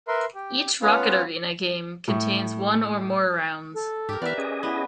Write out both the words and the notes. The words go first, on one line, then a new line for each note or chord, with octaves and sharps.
Each "Rocket Arena" game contains one or more rounds.
A#4 B4 E5 C6
G4
B3 C#4 F4 B4 F5
A2 C#6
A4
G#2 G4 A#4
E3 B3 B4 D5 E5 F6
C#4 G#4 D#5
B3 E4